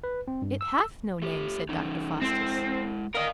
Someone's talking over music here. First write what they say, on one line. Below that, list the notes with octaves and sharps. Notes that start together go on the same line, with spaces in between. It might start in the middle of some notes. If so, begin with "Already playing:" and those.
"It hath no name," said Dr. Faustus.
B4
C4
G2
E6
A3 G4
E3 C#4 D#4
G#3 C4 E4
A#4 D5 D#5 F5